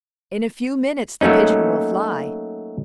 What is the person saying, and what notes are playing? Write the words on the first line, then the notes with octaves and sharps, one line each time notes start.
In a few minutes the pigeon will fly.
F#3 A3 A#3 C#4 D#4